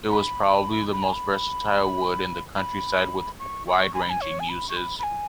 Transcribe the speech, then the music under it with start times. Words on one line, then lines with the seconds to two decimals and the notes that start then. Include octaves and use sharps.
It was probably the most versatile wood in the countryside with wide-ranging uses.
0.11 B5
0.92 B5
1.03 G#5
1.13 B5
2.57 B5
3.39 C#6
3.67 C#6
3.94 G#5
4.02 B5
4.10 G#5
4.21 C#5
4.40 G#5
4.49 B5
4.69 C#6
4.76 B5
4.99 B5
5.04 G#5